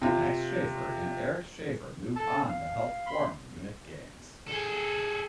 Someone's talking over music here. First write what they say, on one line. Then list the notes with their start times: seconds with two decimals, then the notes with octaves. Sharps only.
Max Schaefer and Erich Schaefer moved on to help form Runic Games.
0.02 C3 F4
2.16 A4 A5
2.49 F5
3.06 B5 C6
4.48 G#4 A4